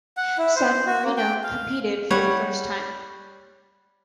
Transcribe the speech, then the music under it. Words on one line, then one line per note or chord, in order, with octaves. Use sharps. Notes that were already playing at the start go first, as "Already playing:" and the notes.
San Marino competed for the first time.
F#5
E4
C5
F#4
A#3
G5
F5
G3 C#5 F#5